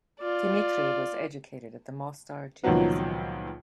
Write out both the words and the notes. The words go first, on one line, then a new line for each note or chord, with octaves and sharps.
Dimitrije was educated at Mostar Gymnasium.
F4 D5
C#2 A#2 D#3 F3 F#3 B3